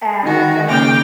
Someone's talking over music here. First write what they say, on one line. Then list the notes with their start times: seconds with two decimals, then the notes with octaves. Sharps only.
and then I'll just
0.22 D#3 F#4
0.67 C#3 A#3 G5 D6 F6